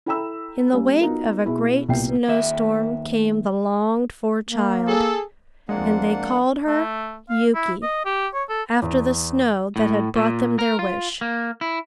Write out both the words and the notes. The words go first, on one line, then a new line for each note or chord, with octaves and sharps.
In the wake of a great snow-storm came the longed-for child, and they called her Yuki, after the snow that had brought them their wish.
E4 A4 G5 A#5 B5 E6
G3 A#3 C#4
B3 D#4 F4 F#4 A#4
B2 E4 G#4
C2 A#2 B3 G5 C7
D#2 E5
A#3
G#4 A4
D#2 F3 G#3 A#3 C4 D4 F#5
A3
F5
E4
D#5
G4
C#5
A4
E2
A2
A#2
A#4
F4
A#3
E4